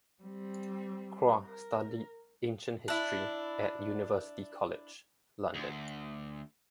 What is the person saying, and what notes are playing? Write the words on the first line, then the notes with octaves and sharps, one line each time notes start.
Croix studied ancient history at University College, London.
G3 C4
A#4
D4 E4
D2